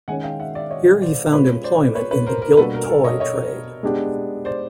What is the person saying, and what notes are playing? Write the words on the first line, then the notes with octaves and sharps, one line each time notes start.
Here he found employment in the gilt-toy trade.
D#3 G#3 C#4 F#5 G#5
F5 G5
E5 F#5
D5 E5
C#5 D#5
C5 D5
G#3 C#4 F4 G#4 B4 C#5
C5 D5
B4 C#5
B4 C#5
A#4 C5
A#4
B2 G3 A#3 D4 F#4 A4 B4
A#4
A#4
A4
C#5 D#5
C#5 D#5
G#3 B3 D4 G4
C5 D5